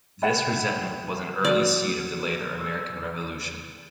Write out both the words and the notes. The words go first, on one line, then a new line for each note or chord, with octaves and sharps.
This resentment was an early seed of the later American Revolution.
E5 F#5 G5 B5
D3 F3 F#4 D5
E6